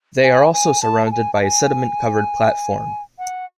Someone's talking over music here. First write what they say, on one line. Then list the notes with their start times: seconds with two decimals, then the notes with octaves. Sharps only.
They are also surrounded by a sediment-covered platform.
0.23 G#5
0.53 G#5
0.82 A5
1.06 A5
1.12 G#5
1.34 A5
1.42 G#5
3.19 F#5